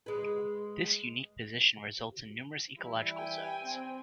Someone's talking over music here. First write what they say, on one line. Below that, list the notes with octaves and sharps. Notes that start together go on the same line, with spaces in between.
This unique position results in numerous ecological zones.
G#3 B4
E3 G3 E4
G5 G#5
C4